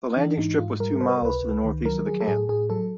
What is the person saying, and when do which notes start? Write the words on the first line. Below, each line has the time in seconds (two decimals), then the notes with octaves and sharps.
The landing strip was two miles to the northeast of the camp.
0.17 E3 D4
0.37 G#2 D#4
0.59 G#2 F4
0.80 G3 A#4
1.01 C3 C5
1.09 B4
1.17 A#4
1.22 C#2 B4
1.43 C#2
1.65 D#3
1.85 F#3 A#4
2.06 F#3 G#4
2.20 A4
2.27 A2 G#4
2.49 A2 G#4
2.70 F#3 A4